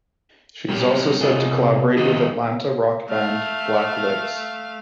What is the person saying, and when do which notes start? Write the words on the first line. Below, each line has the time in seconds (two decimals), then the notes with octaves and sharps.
She is also set to collaborate with Atlanta rock band Black Lips.
0.68 F#3 G3 C4 G4 A#4
1.21 C3 F4 G#4 D#5
1.97 D3 D#3 F4 G4 D#5
3.08 A3 F5